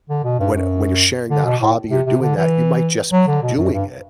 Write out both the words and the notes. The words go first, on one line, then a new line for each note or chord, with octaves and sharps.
when when you're sharing that hobby or doing that, you might just be doing it,
D3
B2
G2
F#2
D3
B2
A2
C3
C3
D3
E3
F#3
D3
B2
F#2
G2